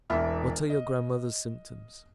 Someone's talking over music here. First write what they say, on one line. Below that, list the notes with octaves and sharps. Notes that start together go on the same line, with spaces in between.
"What are your grandmother's symptoms?"
E1 A1 E3 E5 B5 F6
D#5